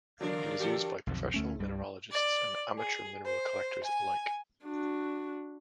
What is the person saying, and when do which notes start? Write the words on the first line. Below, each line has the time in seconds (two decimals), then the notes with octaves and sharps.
It is used by professional mineralogists and amateur mineral collectors alike.
0.21 D#2 D3 F#3 D4 A#4 D5 F5
0.59 G2 E3 G4 A4
1.07 B1 F2 D3
1.34 D2 A3 C#4
1.59 C2 G2 G3
2.12 D5
2.78 G#4
3.26 C5
3.83 G#5
4.64 D4 F#4